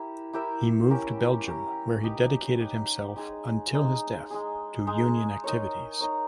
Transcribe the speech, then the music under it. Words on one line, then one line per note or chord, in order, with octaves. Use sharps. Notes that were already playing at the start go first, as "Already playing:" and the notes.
He moved to Belgium where he dedicated himself until his death to union activities.
Already playing: E4 G4 A#4 E5
E4 G4 A#4 E5
C#4 G4 A#4
C#4 G4 A#4
D#4 G4 B4
D#4 G4 B4
G#3 D#4 G#4
G#3 D#4 G#4
G#3 D#4 G#4
G#3 D#4 G#4
D#4 A#4 C#5
D#4 A#4 C#5